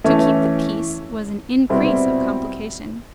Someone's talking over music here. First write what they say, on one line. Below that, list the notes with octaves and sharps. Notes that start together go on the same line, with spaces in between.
To keep the peace, was an increase of complication.
E3 A3 C#4
B2 G3 C4 E4